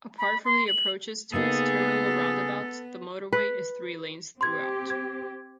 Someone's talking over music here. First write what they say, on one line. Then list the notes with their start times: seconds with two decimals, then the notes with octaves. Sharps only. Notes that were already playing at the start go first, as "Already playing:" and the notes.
Apart from the approaches to its terminal roundabouts, the motorway is three lanes throughout.
0.19 B5
0.45 C6
0.68 F#7
1.33 C#3 A#3 B3 D#4 G#4 A4
3.33 B4
4.41 C4 G4 C6 G#6
4.90 G#6